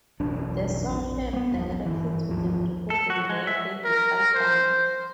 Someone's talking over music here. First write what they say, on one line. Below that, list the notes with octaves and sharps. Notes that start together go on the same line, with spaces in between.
The song led directly to them recording their debut album.
E1 A1 F#2 D4
A#1
A#3 B3
D#1 A#1 F#2
G1 E3
G#1 D#2 F3
A4
F#4
G#3
E5
A#4
C5